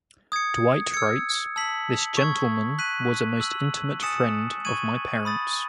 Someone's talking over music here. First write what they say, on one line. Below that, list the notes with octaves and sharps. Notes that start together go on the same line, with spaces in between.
Dwight writes; this gentleman was a most intimate friend of my parents.
D#6 G#6 C#7
E6 G#6 C#7
A5 E6 B6 F#7
C#6 E6 G#6
F#6 B6 D#7 F#7
E6 B6 F#7
G#5 D#6 A6 C#7 E7
C#6 G#6 D#7 F#7
B5 D#6 A6